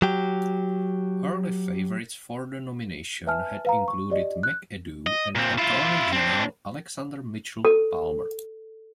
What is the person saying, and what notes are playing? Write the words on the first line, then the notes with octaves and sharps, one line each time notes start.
Early favorites for the nomination had included McAdoo and Attorney General Alexander Mitchell Palmer.
F#3 G4
B4 E5 G#5 A5 F6
B4 F5 A#5
C#6
G4 D5 D#5
F#6
D#5
A#2 C4
E4 F4
C4 D4
A4